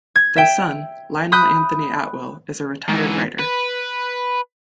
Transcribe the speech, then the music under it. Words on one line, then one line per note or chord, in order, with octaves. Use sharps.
Their son, Lionel Anthony Atwill, is a retired writer.
G#6
E5 G5
B5 D#6 F#6 G6
G#2 E3
B4